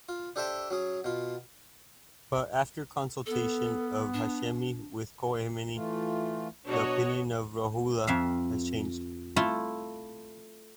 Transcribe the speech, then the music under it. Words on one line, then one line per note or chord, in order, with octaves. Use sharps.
But After consultation of Hashemi with Khomeini, the opinion of Rouhollah has changed.
F4
D4 G4 A4 C5 E5 G5
F#3 C#4 G#4
B2 F4
B3 A4
D4
E3 A3 F4
B2 F#3 D4 F#4 C#5 D#5
F2 E5 F5
A3 E4 F4